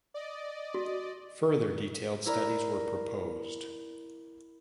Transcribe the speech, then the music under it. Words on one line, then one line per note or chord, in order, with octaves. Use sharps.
Further detailed studies were proposed.
D5 D#5
F#4
E4 A#4 D5